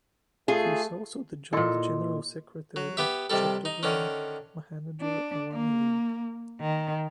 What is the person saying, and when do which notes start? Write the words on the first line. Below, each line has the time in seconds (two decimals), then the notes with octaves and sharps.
He is also the joint general secretary of Chattogram Mahanagar Awami League.
0.48 A3 F4 G#4
1.53 A#2 E4 A4 D#5 C6
2.76 F#3
2.97 B3 G4 E5
3.30 C3 D#3 G3 A4
3.65 D#4
3.83 D3 D#3 C#4
5.01 D4
5.52 A#3
6.61 D#3